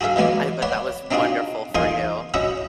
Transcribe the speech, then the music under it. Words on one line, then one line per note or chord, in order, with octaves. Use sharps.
I bet that was wonderful for you.
F#4 G#4 A4 E5 F5
E3 G#3 B3 F#4 D5
C#5 D5 F#5 B5
C4 D4 D#4 F4 F#4 G#4
E2 D#4 F4 G#4 A#4 C6
C#4 E4 F#4 D#5 E5